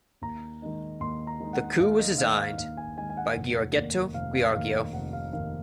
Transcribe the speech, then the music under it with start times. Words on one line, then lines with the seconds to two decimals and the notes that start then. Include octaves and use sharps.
The coupe was designed by Giorgetto Giugiaro.
0.22 D#2 A#5
0.62 D#3 G#3 D#4
1.00 D#2 C6
1.27 A#5
1.40 D#3 G#3 D#4
1.53 F#5
1.79 D#2 F5
1.99 D#5
2.18 D#3 G#3 D#4 F5
2.38 F5
2.58 D#2 F5
2.77 G#5
2.98 D#3 G#3 D#4 G#5
3.10 G#5
3.17 F#5
3.36 F1
3.75 D#2 D#3 A#3
4.14 F1 F5
4.34 F5
4.54 D#2 D#3 A#3 F5
4.93 F1 F#5
5.13 F5
5.33 D#2 D#3 A#3 F5